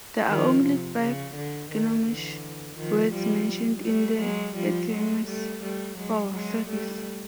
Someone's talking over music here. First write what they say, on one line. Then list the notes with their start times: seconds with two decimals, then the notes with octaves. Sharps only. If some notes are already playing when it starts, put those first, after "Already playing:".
There are only five Gnommish words mentioned in the "Artemis Fowl" series.
0.28 D#3 F3
0.63 C3
0.99 C#3
1.35 D3
1.70 D#3
2.06 D3 E3
2.77 D#3 F3
3.12 F3 G3
3.84 G3 A3
4.19 F#3 G#3
4.56 F3 G3
4.90 F#3 G#3
5.26 G3 A3
5.63 G3 A3
5.98 F#3 G#3
6.33 F#3 G#3
6.68 G3 A3